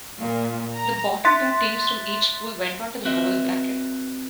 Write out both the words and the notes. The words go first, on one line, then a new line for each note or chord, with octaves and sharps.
The bottom two teams from each pool went on to the Bowl bracket.
A#2
A#5
E5 C6 F#6 A6 B6
C4 F#4 B4 D#5 E5